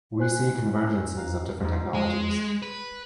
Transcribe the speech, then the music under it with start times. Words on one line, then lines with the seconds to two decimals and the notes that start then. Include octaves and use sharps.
We see convergences of different technologies.
0.19 C5 G#5 F#6
0.80 F#2
1.17 F5 A#5
1.60 E2 G#2 F3
1.94 G#3
2.62 B4